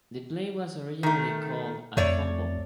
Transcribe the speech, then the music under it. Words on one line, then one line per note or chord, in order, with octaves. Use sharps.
The play was originally called a fumble.
D#3 A3
F2 A3 C#5 D5